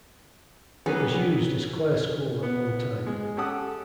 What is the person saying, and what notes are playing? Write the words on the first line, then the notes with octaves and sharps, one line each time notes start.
It was used as Clare School at one time.
C#3 F#3 G3 B3 C#4 G#4
B3
G#3
C#4 G4 A4 F#5 D#6